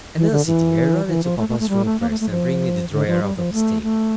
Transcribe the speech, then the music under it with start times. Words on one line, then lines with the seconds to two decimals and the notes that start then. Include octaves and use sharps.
And Elsie, dear, run into papa's room first, and bring me the drawer out of his table.
0.16 E3
0.31 D3
0.46 E3
1.08 E3
1.24 F3
1.38 A3
1.49 A3
1.59 A3
1.69 G3
1.85 A3
2.00 A#3
2.10 A3
2.20 A3
2.30 F3
2.92 D3
3.07 F3
3.23 G3
3.37 F3
3.53 A3
3.82 A3